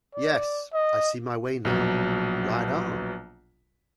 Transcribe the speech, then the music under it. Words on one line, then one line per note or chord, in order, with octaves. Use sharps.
Yes, I see my way now, right on.
D5
D#5
A#1 B2 F#3